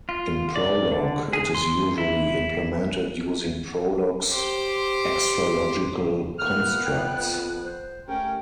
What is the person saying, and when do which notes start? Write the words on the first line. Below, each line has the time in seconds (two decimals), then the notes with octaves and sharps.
In Prolog, it is usually implemented using Prolog's extralogical constructs.
0.09 F4
0.56 D5
0.92 D3
1.33 G#4
1.55 C6
1.98 E4
4.32 G4 C5
6.39 A#2 E3 A#3 B3 F6 F#6
6.85 F2 G5
7.64 C5
8.08 A3 C#4 G4 A#4 G5